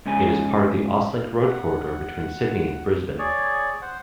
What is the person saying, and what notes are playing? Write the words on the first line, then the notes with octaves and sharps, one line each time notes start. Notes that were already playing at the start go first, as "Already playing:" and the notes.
It is part of the AusLink road corridor between Sydney and Brisbane.
G#2 C#3 C#4 G#5
F#5
G#4 C#5 D5
C5 F#5